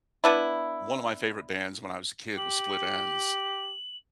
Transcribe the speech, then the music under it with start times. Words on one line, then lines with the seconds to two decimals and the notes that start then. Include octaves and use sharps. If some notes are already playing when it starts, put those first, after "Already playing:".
one of my favorite bands when I was a kid was Split Enz,
0.24 B3 D4 E4
2.37 G4 F#7